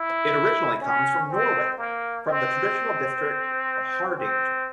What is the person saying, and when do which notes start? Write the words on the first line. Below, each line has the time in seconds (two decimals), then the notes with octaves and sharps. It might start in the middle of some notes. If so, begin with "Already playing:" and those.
It originally comes from Norway, from the traditional district of Hardanger.
Already playing: E4
0.81 C#4
1.30 C4
1.78 A#3
2.26 C4
4.18 C4